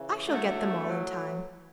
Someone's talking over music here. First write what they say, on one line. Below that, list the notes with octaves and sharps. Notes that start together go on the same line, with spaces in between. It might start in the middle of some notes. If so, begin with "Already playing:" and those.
"I shall get them all in time."
Already playing: C#3 E3
F#2 D3 F#3 A3
A2 F#3